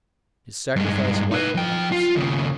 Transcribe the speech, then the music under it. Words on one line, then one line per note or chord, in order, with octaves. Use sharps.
His sacrifice lightened ours.
G2 G#3
D#4 B4
F3 G5
F4
D#2 C#3